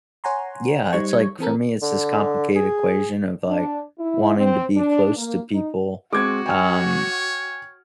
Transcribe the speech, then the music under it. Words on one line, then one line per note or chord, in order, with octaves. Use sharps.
Yeah, it's like, for me, it's this complicated equation of, like, wanting to be close to people, um,
C#5 F#5 G#5 A#5 C6
G3 D#4 C5 C#6 G#6
E3 C4 A4 A#4
D3
G#4
D4
E4
C4
D4
A#3
D#4
G#3 C4 F#4 D6 G#6
C#5 G5 G#5 F6